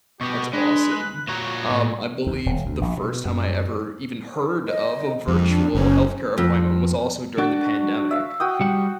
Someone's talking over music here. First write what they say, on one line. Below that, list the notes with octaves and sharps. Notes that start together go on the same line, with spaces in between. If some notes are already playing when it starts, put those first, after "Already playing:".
That's awesome. Um, I believe the first time I ever even heard of a virtual health care appointment was also during the pandemic.
B2 B3 G4 C#6
G#3 D4 B4
F#6
A#2 F#4 C#5 A#5
A2
D#2
D#1
D2
A#1
B2
F#2
D#5
F2 G#3
D4
F#1 C#4
F2
D4 F#4
E5 F5
F#4 G5 D#6
G3 F#5